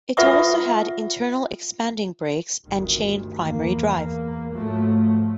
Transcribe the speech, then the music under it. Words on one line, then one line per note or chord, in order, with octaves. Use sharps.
It also had internal expanding brakes and chain primary drive.
F4 B4 E5 F#5 C#6 D#6
G1 D2 D#3
E2 A#3
G#2 F3 F#3 A3